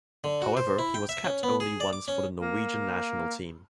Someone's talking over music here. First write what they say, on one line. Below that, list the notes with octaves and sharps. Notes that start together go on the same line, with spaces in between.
However, he was capped only once for the Norwegian national team.
D3
F#4
C5
E4
G5
E5
C#4
B3
G#4
D5
D6
C#4
A#3